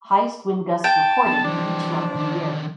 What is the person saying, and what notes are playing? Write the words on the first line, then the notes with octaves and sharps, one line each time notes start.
Highest wind gusts reported in each month of the year.
G5 A5
B1 B2
E3 F3 G3 D4
D3 D#3